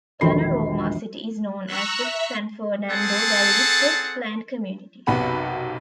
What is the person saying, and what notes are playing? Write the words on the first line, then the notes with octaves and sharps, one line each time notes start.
Panorama City is known as the San Fernando Valley's first planned community.
E1 A#1 D#3 A4 B5 C7
A#5 C#6 E6 F#6
E5
C4 G#4 A4 F#5 A5
B1 F#2 C3 B3 F#5 B5